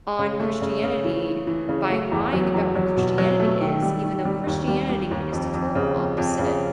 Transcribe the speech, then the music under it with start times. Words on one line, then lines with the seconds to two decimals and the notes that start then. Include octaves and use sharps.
on Christianity by lying about what Christianity is, even though Christianity is the total opposite
0.19 C#3
0.40 A3
0.62 C#3
0.83 C#3
1.04 E3
1.26 E3
1.47 E3
1.69 C#3
1.90 A3
2.11 E2
2.33 F#3
2.54 E2
2.76 F#3
2.97 B2
3.18 F#3
3.40 A3
3.61 D#3
3.82 G3
4.04 D#3
4.25 G3
4.47 D#2
4.68 G3
4.89 G3
5.11 D#2
5.32 F2
5.54 F2
5.75 C#3
5.96 F2
6.18 F2
6.39 C#3